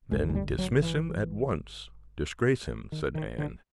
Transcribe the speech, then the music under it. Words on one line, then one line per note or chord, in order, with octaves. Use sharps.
"Then dismiss him at once, disgrace him," said Anne.
G#1 G2 D3 G#3
G#3
G3
F#3
E3
D#3
D#3
D3